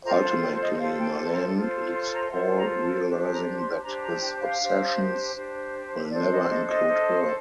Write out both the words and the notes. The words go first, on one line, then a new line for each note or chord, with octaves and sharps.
Ultimately, Marlene leaves Paul, realizing that his obsessions will never include her.
F4 A4 C5 A#5
A5
G5
D#5
F4 A4 C5 F5
G5
A5
A#5
A5
F4 A4 C5
A5
C6
A#5
F4 A4 C5 C6
A#5
A5
D4 G4 C5 A5
A#5
C6
D4 G4 C5 A#5
A#5
A5
G5
F5
D4 G4 C5
D4 G4 C5
D4 A4 C5 D5
D#5
D#5
D#5
D4 A4 C5